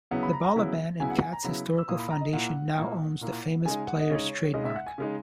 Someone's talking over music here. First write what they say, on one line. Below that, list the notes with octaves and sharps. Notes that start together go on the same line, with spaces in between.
The Balaban and Katz Historical Foundation now owns the Famous Players trademark.
C#3 F#3 B3 E4
B5
A#5
A#5
C#3 F#3 B3 E4
C#3 F#3 B3 E4 G#5
F#5
G#5
A#5
C#3 F#3 B3 E4 B5
E6
A#2 A#3 E4 D#6
B5
A#5
D#5
A#2 A#3 E4 F#5
A#2 A#3 E4
A#2 A#3 E4
C#3 G#3 D#4 G#5
F#5
D#5
C#3 G#3 D#4 C#5
C#3 G#3 D#4 D#5
E5
F#5
G#5
C#3 G#3 D#4